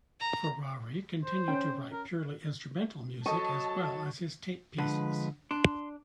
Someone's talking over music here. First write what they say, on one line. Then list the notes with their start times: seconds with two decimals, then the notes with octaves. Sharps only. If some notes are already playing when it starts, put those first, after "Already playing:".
Ferrari continued to write purely instrumental music as well as his tape pieces.
0.20 A#5
1.24 C5
1.48 C#4 G5
1.92 A#4
3.26 F#3 A4 D#5 A5 C#6 D#7
4.78 D3 F3 G#3 B4
5.51 D4 C6